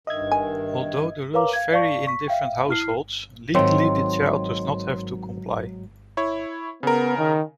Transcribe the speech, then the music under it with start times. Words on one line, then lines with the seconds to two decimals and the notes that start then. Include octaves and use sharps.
Although rules vary in different households, legally the child does not have to comply.
0.07 G2 D#3 D#5 E5 G#6
0.32 G#5
1.34 A#4 B4 C#5 F5 A#5 D6
1.53 F5 G#6
1.73 D5 F5 A5 C#6
2.07 C#6 B6
2.28 E5 F5 G5
2.69 E4 F6 C7
3.54 G#2 D#3 F#3 C4 F4 C#5 C6
6.17 E4 C#5
6.83 C#3 B3 A#4
7.18 D#3